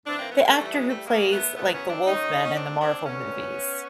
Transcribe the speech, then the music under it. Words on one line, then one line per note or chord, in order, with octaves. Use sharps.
the actor who plays like the wolfman in the Marvel movies.
G#2 E3 C4 D4
A#3 C4
A3 B3
G#3 A#3
G#2 E3 G3 A3
F#3 G#3
G3 A3
F#2 C#3 E3 G#3 A#3
A3 B3
F#2 C#3 E3 A3 B3
B3 C#4
C4 D4
D#2 D#3 C#4 D#4
C#4
D#2 D#3 C4 D4
C4 D4
D2 D3 B3 C#4